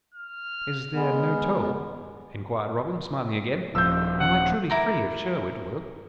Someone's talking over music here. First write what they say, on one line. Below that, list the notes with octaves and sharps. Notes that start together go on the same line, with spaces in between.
"Is there no toll?" enquired Robin, smiling again, "Am I truly free of Sherwood, Will?"
F6
G#3 B3
D#1 F3 E6 G6
F#5
E4 A#4 D6